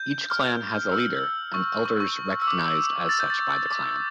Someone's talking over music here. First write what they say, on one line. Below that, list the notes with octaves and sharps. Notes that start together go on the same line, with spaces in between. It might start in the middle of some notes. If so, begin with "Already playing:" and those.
Each Clan has a Leader and Elders recognized as such by the Clan.
Already playing: G6
F6
E6
C#6
C#6
C#6
E6
D6
A6
G6
A6
D6